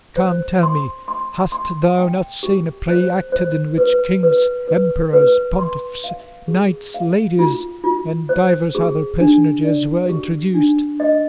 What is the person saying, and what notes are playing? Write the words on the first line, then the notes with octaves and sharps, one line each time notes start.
Come, tell me, hast thou not seen a play acted in which kings, emperors, pontiffs, knights, ladies, and divers other personages were introduced?
C5
C6
C6
C6
G5
G4
C5
C5
B4
B4
B4
B4
C6
F5
G#4
F5
F4
F4
C5
G#4
D4
D5
G4
D4
D#5